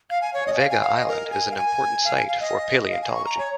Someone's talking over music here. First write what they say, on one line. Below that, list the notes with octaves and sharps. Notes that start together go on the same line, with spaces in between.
Vega Island is an important site for paleontology.
F5
G#5
C#5
D#5
G#5
F5
G#5
F5
D#5
A#4
G#5
F5
G#5
F5
G#5
F5
D#5
F5
G#5
C#6
A#5
C#5